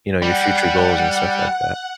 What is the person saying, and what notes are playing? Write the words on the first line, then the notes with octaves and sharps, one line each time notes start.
you know, your future goals and stuff like that.
G3 F#5